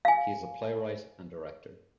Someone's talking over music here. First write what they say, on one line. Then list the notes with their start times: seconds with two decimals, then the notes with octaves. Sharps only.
He is a playwright and director.
0.05 F5 G#5